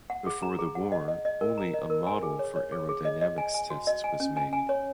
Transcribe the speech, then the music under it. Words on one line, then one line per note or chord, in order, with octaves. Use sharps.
Before the war, only a model for aerodynamics tests was made.
F#5
G#4
A#5
G#4
F#5
D#5
D#5
D#5
A#4
A#5
D#5
A#4
G#5
G#4
C#5
C#5
G#4
G#4
D#5
D#5
G#5
G#5
F#4
D#5
G#5
C#4
G#5
G#5
C#5